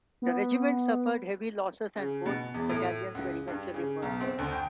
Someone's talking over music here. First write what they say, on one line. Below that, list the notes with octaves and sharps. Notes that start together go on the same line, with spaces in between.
The regiment suffered heavy losses and both battalions were eventually merged.
B3
C#3
B2
E2
A2
C#2
G2
C#3
B1
C4
D2
G5